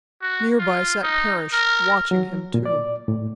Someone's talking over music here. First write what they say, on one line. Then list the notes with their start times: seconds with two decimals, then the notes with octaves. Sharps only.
Near by sat Parrish, watching him too.
0.22 F#4
0.59 F4
1.04 D#4
1.52 A#4
2.11 F#3
2.54 A#2
2.65 D5
3.08 A2